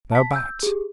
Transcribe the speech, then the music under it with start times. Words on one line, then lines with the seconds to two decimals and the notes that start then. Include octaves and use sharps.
Thou bat!
0.12 A5 B6
0.33 E6 G6
0.63 G4 G#4